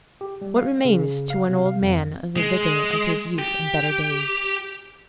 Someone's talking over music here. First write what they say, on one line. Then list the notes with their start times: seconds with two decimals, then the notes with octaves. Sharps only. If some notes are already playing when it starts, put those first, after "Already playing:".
What remains to an old man of the vigour of his youth and better days?
0.21 G4
0.41 G3
0.56 F5
0.85 C#3
1.30 F5
1.49 C3
1.66 F5
1.81 F2
2.37 G#3
3.39 G4